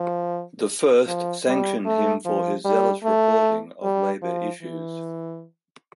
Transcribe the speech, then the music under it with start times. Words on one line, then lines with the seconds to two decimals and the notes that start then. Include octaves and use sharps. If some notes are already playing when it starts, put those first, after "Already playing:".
The first sanctioned him for his zealous reporting of labour issues.
Already playing: F3
1.07 F3
1.47 G3
1.86 A3
2.25 F3
2.65 G3
3.04 A3
3.83 G3
4.22 F3
4.62 E3